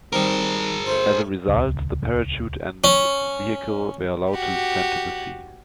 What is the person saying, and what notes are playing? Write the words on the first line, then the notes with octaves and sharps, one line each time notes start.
As a result, the parachute and vehicle were allowed to descend to the sea.
D#3 G3 C4 G#4 A#4
A3 C#4 C5
D#1 C#2
C#4
F#4 G4